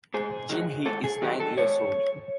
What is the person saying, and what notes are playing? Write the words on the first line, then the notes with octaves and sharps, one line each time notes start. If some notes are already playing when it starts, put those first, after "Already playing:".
Jinhee is nine years old.
G#2 G#4
D#3 F#3
G#2 A4
G#4
D#3 F#3 G4
A4
G#2 C#5